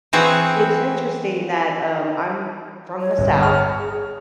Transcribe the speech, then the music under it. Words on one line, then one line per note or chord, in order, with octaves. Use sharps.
it's interesting that, um, I'm from the South,
E3 C4 F#4 G#4
C#5
G1
G#4 C#5 F6